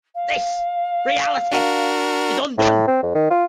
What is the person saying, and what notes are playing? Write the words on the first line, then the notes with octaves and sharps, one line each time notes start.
This reality is undone.
F5
D4 F#4 A#4
A2
C4
F2
D#3
F4